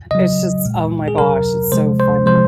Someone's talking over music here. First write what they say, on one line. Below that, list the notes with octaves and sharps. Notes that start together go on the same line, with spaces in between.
it's just oh my gosh, it's so funny.
C#3 F#3 D#5
A#2 G#3
G#4
C3 F#3 A#4
C3 F3 G#3 C5
C5
C3 F3 G#3 C5